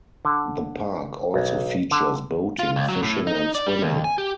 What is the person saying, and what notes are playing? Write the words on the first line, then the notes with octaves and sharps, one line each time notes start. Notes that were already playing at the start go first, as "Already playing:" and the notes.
The park also features boating, fishing, and swimming.
D3
B1
D3
F4
C#2
F#3
A2
D#4
D5
G3
D#2
G#5
G4